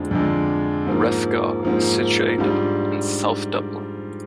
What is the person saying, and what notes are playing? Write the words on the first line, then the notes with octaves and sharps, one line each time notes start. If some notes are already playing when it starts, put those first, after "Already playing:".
Rathgar is situated in south Dublin.
Already playing: F2 D3 F3 G#3 D4
F2 D3 F3 G#3 D4
G#2 F3 A#3
G#2 F3 A#3
G#2 G3 D4 F4